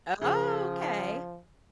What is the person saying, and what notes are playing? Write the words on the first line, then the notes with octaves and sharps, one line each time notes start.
Oh, okay,
C#3 F3